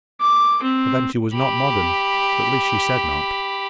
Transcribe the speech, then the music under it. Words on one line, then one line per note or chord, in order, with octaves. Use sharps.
But then she was not modern, at least she said not.
D6
C4
G4 B5